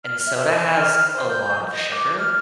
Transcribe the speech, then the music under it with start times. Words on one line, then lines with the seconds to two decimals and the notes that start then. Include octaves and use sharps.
and soda has a lot of sugar.
0.04 F6
0.26 E5
0.54 C5
0.75 F6
0.95 F6
1.13 C5
1.28 G6
1.71 D#5
1.91 D6
2.18 F6